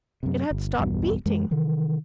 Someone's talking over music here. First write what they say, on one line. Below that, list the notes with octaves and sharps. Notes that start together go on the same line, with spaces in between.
It had stopped beating.
F#2 C3
G1
B1 E2 G2 B2
F#2 E3 G#3
C3 D#3 E3